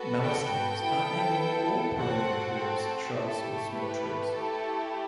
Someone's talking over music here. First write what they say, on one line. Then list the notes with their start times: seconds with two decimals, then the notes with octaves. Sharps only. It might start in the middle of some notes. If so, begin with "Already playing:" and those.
Melastomes are annual or perennial herbs, shrubs, or small trees.
Already playing: B3 F#4 A4
0.22 G5
0.80 B3 E4 A4
1.98 C4 F#4 A4 F#5
2.56 A4
3.15 A3 E4 G4 A4
3.74 B4
4.32 A3 E4 G4 A4